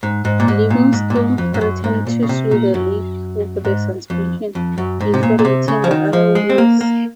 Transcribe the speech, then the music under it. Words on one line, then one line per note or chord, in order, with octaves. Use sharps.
Livingstone threatened to sue the league over the suspension, infuriating the other owners.
G#2
G#2
A#2
G#2
A#2
G#2
A#2
G#2
F2
G#2
F#2
G#2
A#2
C#3
C3
A#2
F#2
G#2
F2
F2
F#2
G#2
C3
A#2
A#2
C3
C#3
F3
D#3
F3
G#3
C4
A#3
A#3